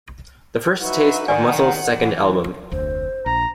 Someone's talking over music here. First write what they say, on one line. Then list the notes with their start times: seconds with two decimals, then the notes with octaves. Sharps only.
The first taste of Muscles' second album.
0.81 D#4 F#4 B4 E5
1.28 D#3 D5 F#5 G#5
1.96 E3
2.71 F1 D2 C5
3.26 A#1 A#5